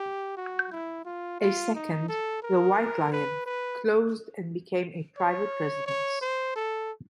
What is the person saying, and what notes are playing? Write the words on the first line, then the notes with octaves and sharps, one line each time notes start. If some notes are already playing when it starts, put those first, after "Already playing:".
A second, the White Lion, closed and became a private residence.
Already playing: G4
F#4
E4
F4
F4
D#4
A4
A#4
B4
B4
C#5
C#5
C5
A4